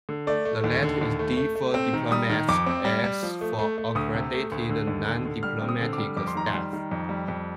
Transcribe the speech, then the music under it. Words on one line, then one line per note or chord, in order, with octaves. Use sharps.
The letter is D for diplomats or X for accredited non-diplomatic staff.
D3
A3 D5
A3
D#2
D3
D#2
A3
A3
A3
C4
D#3
G3 D#6
D#3
F2 D6
C4
G3
G3
F3
A3
A3
A3
D2 D#6
C3
A3
D2
D3
D#2
D3
D3
G3 F6
C4
D#6
D3
D6
G3
F2 D6
C6
D#3 A#5
C6
G3
D#3
F2
G3
F2